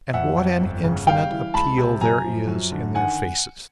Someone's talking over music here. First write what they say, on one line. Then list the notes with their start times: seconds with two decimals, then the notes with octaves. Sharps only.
And what an infinite appeal there is in their faces!
0.14 F2 E5 F#5
0.37 F2
0.61 G1
0.84 C#3
1.07 G3 F5 G5
1.31 E3
1.54 C#2 A5 B5
1.78 C3
2.01 F#2 G#5 A#5
2.24 F3
2.48 F#2
2.72 D3
2.95 D#3 F#5 G#5